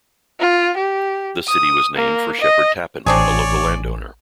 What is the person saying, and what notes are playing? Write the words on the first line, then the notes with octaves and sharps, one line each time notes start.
The city was named for Sheppard Tappen, a local landowner.
F4
G4
D#6
A#3
D#5
A1 C4 D4 G#4 C#5 D5